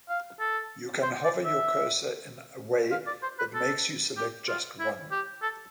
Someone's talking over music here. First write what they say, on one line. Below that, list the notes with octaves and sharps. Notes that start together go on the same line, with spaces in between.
You can hover your cursor in a way that makes you select just one.
F5
A4
C5
D5
E5
F5
D5
C5
B4
A4
G4
F4
E4
G4
A4